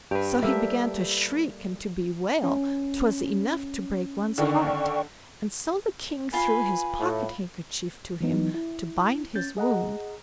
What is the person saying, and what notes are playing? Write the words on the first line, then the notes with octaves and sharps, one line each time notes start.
So he began to shriek and to bewail; 'twas enough to break one's heart; and so the king threw his pocket-handkerchief to him to bind his wound.
G2 G4 B4
G3 A#3 A4 E5
C#4
D3 D#3 D5 G5 C#6
F4 B4 G#5
A2
E3 F#3 B3 D#4
E4
C#4 G6 A6
G#4 D#5 F#5 A#5